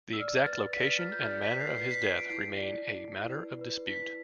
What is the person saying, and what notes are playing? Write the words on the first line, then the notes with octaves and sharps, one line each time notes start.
The exact location and manner of his death remain a matter of dispute.
E6
D5 F6
B4 A6
D5 B6
A6
F4 F6
G6
D5 A6
B6
B4
C7
F4 C7
B6
F4 C7
D7
E4 C7
D5
E4
E4
B4
B4
E4 B6